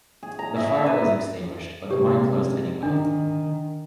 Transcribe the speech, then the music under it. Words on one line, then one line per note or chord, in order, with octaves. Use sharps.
The fire was extinguished, but the mine closed anyway.
G#4
A#5
E5
E5
B4
C3 G#3 G4
D#3 D4